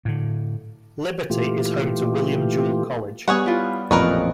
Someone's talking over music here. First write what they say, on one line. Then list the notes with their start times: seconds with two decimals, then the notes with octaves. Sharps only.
Liberty is home to William Jewell College.
0.05 A2 D3
1.30 A#2 E3 A3 F4 G4
3.28 G3 B3 G#4 C#5 F#5
3.46 E4 F4
3.91 A1 F2 A#2 A#4 B4 C#5 D#5